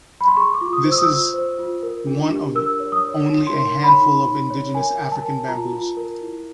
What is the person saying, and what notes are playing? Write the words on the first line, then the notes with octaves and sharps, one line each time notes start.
This is one of only a handful of indigenous African bamboos.
B5
C6
G#4 C#6
D6
F4
D#6
C5
E6
D#6
F4 E6
C5
F4
A#4
D4
G4
A#4 E6
C#5
D#6
C#5
D#4
C6
A#4
C#5
B5
D#4
D#4
C#5
A#4 G#5
A#4
A5
A#4
F4 A#5
F4
A#4
E4